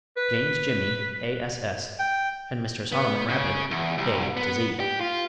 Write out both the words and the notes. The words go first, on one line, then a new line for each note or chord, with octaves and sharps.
James Jimmy, A.S.S., and Mr. Solomon Rapid, A. to Z.
B4
G5
B3
C#3
E2
C2
B3
G4
F4